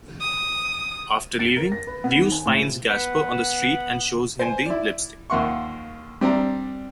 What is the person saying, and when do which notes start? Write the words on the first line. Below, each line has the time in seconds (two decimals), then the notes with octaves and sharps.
After leaving, Deuce finds Gaspar on the street and shows him the lipstick.
0.21 D#6
1.39 A6
1.57 A#4
1.72 A#6
1.87 B4
2.04 B3
2.19 D#3
2.32 G#5
2.46 A2
2.60 F3
2.90 B3
4.39 C5 G#5
4.66 E4 D5
5.30 D#2 F3 A#3 F#5 C6 C#6
6.21 G3 C4 D4 A#5